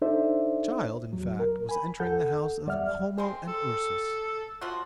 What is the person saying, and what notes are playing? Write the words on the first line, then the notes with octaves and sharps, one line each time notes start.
The child, in fact, was entering the house of Homo and Ursus.
D4 D#4 A4 C5 D5 E5
E2 F#3
A#4
G#5 B5
E2 A4 F#5 G6
E2 G3 D5 E5 F#5 F6
G#3 C4
A4
F3 F4 F#4